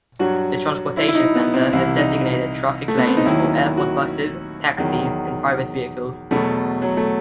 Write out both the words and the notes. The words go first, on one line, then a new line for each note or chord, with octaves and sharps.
The transportation centre has designated traffic lanes for airport buses, taxis and private vehicles.
G2 F#3 F#4
E4
E4
D#4
B3
C4
C2 C3 E3 E4
D#4
A3
B3
C4
D#4
D#2 D#3 F#3 E4
F#4
E2 D#3 F#3
E2 B2 F#3 A3
F#3
A3